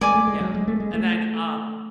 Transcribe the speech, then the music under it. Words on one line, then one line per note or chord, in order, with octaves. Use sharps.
Yeah, and then, um
G#3 D5 G#5 D6
A3
G#3
F#3
G#3
A3
G#3
A3